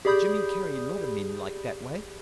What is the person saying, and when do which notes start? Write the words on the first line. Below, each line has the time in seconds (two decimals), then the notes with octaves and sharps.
"Jimmy carry lot o' men like that way!"
0.05 G4 G#4 D5 B5 D#6 G6